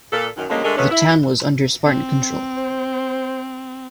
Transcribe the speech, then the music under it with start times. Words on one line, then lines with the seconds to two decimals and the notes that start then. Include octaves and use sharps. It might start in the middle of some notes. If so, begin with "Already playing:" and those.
The town was under Spartan control.
0.12 A#2 A4
0.37 F#2 D#3
0.50 D3 F3 G3 G#3 A#3 C#4
0.64 D3 G#3 A3 D4 A4 A#4
0.77 F#3 G#3 A3 B3 C#4
0.91 E4
1.85 C4
2.57 C5